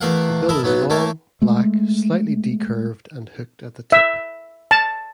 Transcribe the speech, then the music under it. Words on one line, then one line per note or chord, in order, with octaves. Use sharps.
The bill is long, black, slightly decurved, and hooked at the tip.
E2 A3 A#4 F5 F#5
E4 A4 A#4 D#5
B1 F#3 B3
A3 A#3 A4 A#4 C#5
G#3 A3
E5
A5